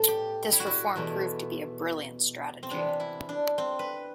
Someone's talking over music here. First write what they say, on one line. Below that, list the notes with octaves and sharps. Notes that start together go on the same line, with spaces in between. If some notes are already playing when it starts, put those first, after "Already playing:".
This reform proved to be a brilliant strategy.
Already playing: A2 B3 A4
G4
E4
F#4
E4
E2 B2 A3
C4
C3 E3 B3 D4
E4
D4
C4
B4